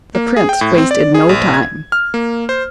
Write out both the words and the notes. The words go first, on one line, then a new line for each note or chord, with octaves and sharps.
The prince wasted no time.
A#3
G#4
G5
A2
C4
D5
G#4
A#1
G#6
F6
A#3
C5